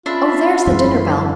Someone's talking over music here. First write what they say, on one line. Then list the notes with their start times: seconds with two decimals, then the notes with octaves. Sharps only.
Oh, there's the dinner-bell.
0.06 C#4 D4 F4 E5 B5 C6
0.67 F#2 E3 G#3